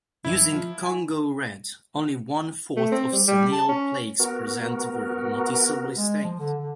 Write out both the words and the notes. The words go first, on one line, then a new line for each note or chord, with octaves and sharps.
Using Congo red, only one-fourth of senile plaques present were noticeably stained.
F#2 E3 F3 E4
F3 F4
G#5
A3
C4
G3
G3
A5
C#4
B3 F#4 A#4
G#3
F3
D3
D3